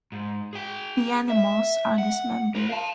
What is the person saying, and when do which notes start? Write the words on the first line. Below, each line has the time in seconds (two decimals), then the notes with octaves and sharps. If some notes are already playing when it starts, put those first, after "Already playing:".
The animals are dismembered.
0.12 G#2
0.53 G#4 G5
1.30 E5
1.98 F#5
2.55 A#4 C5
2.69 F5 A5